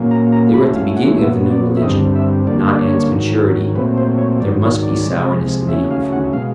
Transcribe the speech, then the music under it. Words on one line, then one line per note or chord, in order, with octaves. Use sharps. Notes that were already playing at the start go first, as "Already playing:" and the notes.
They were at the beginning of the new religion, not in its maturity; there must be sourness in the young fruit. ...
Already playing: A#2 F#3 A#3 C#4
A#5
A#5
A2 F#3 A3 C#4 B5
F5
F#5
A#2 F#3 B3 E5
D5
E5
G2 D3 G3 C4 D#5
E5
D3 G3 A#3 D5
D5
C#5
G#2 D#3 F#3
A#2 F#3 A3 C4 B4
C5
C#5
G#2 D#3 F#3 D5
C#5
D5
C3 F3 G#3
C#3 F#3 A3 C#4 E5
F5
F#5
B2 G#3 F5